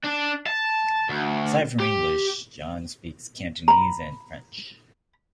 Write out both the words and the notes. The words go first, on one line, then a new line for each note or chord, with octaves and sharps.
Aside from English, Yan speaks Cantonese and French.
D4
A5
D2
G4
A#5 B5